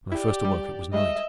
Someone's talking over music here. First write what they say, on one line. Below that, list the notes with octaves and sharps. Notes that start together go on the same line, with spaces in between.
When I first awoke, it was night.
E4 G4 D5
G3
G3 G#3 D#5 E5